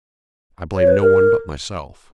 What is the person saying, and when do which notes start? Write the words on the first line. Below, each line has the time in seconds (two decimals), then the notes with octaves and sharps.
I blame no one but myself.
0.75 C#5
0.87 B4
1.00 A#4